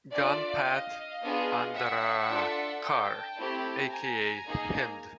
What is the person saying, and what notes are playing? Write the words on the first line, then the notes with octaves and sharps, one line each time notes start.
Gunpat Andarakar aka Hind.
D4 F4 A4 D5 E5
D#5 F5
B3 D4 F4 G#4
E5 F#5
D4 F4 A4
G5 A5
A3 C4 E4 G4
G#5 A#5
A#3 D#4 G#4